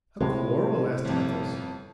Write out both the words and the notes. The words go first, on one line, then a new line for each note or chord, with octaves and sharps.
"A quarrel?" asked Athos.
A2 C3 G#3
G1 F2